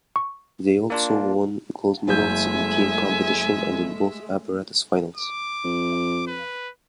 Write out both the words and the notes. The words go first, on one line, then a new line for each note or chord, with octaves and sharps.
They also won gold medals in team competition and in both apparatus finals.
C#6
A#3 D4 F4
F#1 G#3 A3 E5 G#5 G6
D6
F2
B4